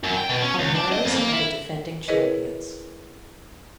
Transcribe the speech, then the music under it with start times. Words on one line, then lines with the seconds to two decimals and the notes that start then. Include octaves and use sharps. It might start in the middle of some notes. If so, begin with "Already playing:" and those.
Palmeiras are the defending champions.
0.03 F#2
0.16 G5
0.29 B2
0.42 C#4
0.58 C#2
0.75 D4
0.92 D#5
1.04 F2
1.17 A#3
1.32 E4
2.08 E4 G#4 A#4 B4 C#5 D#5